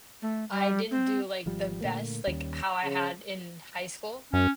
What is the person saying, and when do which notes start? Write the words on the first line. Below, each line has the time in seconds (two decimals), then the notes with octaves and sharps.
I didn't do, like, the best like, how I had in high school
0.22 A3
0.51 G3
0.91 C4
1.46 G#1 F3 G3
1.81 A#2 D3 A3 A#3
2.27 D#2 G3 C#4
2.84 C#3
4.33 F#2 C#4